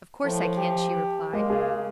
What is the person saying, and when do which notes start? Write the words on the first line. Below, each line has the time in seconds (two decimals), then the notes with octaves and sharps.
"Of course I can," she replied.
0.24 A2 F3
0.57 G4
1.33 G#3 A#3 D#5
1.50 C#3 G#4